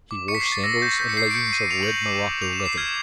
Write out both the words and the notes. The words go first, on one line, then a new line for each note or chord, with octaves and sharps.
He wore sandals and leggings of red morocco leather.
D6
C#6 C#7
B6
C7
C#6
A6
E6 A#6
G6
G6 B6
C#7
G6 C7
D7
G6 C#7
G6 D#7
D6 F7
F#7
G6
F#7
D6
D6
D6 F7
E7
D6
C7
F6 G#6